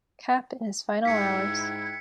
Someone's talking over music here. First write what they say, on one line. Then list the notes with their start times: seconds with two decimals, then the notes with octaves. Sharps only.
Cap in his final hours.
1.05 G#2 E4 G5 F#6 G#6 B6 C#7